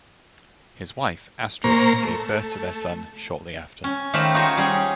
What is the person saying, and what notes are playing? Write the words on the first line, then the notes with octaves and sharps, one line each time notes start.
His wife, Astrid gave birth to their son shortly after.
A#2 A#3 C5 A#5 C#6
A3
C#4
D#3 A3 G4 C5 F5 B5
D#4 F4 F#4 G#4 C5 C#5
G3 C#4 G#4